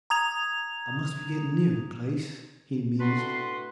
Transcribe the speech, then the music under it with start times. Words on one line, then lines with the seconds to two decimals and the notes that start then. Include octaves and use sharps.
"I must be getting near the place," he mused.
0.10 A#5 D#6 G#6 F7
3.00 A2 D4 F#4 B4 C6